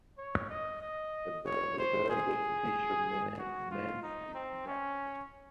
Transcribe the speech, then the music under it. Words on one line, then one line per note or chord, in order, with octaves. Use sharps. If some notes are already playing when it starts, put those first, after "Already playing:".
A bearded fisherman mends his net.
C#5
D#5
D#5
C#5
C5
G#4
F#4
F4
D#4
C4
C#4